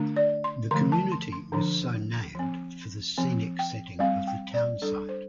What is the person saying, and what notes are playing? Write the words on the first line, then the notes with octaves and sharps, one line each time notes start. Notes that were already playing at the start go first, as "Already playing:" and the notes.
The community was so named for the "scenic" setting of the town site.
Already playing: D3 A3 D4
D5
C6
D3 F3 A3 C6
A5
C6
C6
D3 F3 D4
F3 C4
F3 C4
G5
G3 C4 F5
G5
D5
G3 D4 A4
C5